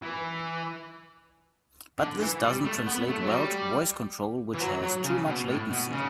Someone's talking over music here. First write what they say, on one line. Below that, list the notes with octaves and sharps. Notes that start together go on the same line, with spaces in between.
But this doesn't translate well to voice control, which has too much latency.
E3
D3
E3
G3
A3
B3
A3
F#3
G3
E3
F#3
F#3
C#3
B2
A2
B2
C#3